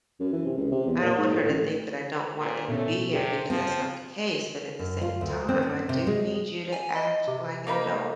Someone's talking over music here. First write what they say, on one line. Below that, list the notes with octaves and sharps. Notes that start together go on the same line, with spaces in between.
I don't want her to think that I don't want them to be here because that's not the case, but at the same time, I do need you to act like an adult.
F#2
E3
C3
C#2
C3
E2
A#2
G#2
A2
A1
A#2
B2 A3 C#4
C3 G#4 G5
F3 C4
F#2
F4
D2
C4
C#4
C3
G#3
G#5
D#5
C3
A#3 D#4 B5